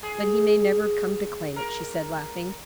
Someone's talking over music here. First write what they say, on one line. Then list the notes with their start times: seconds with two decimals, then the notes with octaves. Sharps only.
"But he may never come to claim it," she said, laughing.
0.03 G#4
1.56 A#4